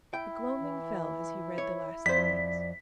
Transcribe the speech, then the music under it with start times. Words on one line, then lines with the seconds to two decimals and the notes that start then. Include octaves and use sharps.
The gloaming fell as he read the last lines.
0.13 E4 G5
0.60 E3
1.58 C#5
2.06 F2 C5 D5 B6